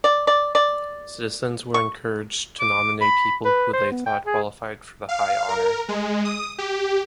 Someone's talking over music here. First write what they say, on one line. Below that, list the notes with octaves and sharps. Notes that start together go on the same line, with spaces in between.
Citizens were encouraged to nominate people who they thought qualified for the high honour.
D5
D5
D5
C#6
D6
B5
B4
C5
B3
G5
G#4
F5
A#4
G#3
D#6
G4